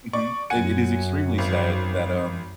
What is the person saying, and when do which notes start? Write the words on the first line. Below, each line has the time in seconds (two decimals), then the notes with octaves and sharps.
Mhm. It it is extremely sad that, um,
0.13 D5 C#6
0.50 F#2 F#5 G#5 C#7
1.38 G#1